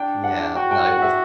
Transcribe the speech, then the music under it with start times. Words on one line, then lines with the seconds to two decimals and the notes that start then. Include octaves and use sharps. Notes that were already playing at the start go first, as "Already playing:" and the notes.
Yeah, no, it was
Already playing: D4 G5
0.24 F#5
0.56 F#4 G5
0.71 G5
0.86 F#5
0.98 F#5
1.02 E5